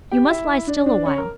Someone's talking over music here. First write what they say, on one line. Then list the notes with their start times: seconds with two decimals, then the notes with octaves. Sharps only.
You must lie still awhile.
0.12 G4 G5
0.30 E4 E5
0.67 D4 D5
0.86 D4 D5
1.05 C#4 C#5
1.18 A#4